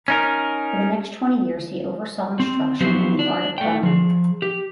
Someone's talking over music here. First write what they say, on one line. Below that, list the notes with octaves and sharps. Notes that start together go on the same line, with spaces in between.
For the next twenty years he oversaw instruction in the art of gunnery.
C#4 D#4 A#4
C4
F3 F#3 B3 G4 C5
D4
A3 G5
F3 G#4
G4